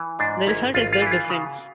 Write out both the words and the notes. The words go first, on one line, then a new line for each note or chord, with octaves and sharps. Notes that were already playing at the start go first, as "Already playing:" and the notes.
The result is the "difference".
Already playing: E3
G#2 D4
G#1 E4
G#1 F4
F4
E3 E4
F4
C#3 F#4